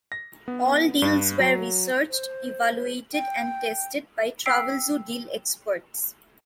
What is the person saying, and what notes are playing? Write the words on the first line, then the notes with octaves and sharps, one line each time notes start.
All deals were researched, evaluated and tested by Travelzoo Deal Experts.
A#6
B3
G2
F#3
C5
G5
G5 E6 B6 C7 D7